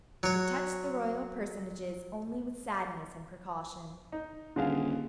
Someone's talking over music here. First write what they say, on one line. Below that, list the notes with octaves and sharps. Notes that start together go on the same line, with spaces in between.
It touched the royal personages only with sadness and precaution.
F#3 C#5
D#4
D#1 D3 G#4 F5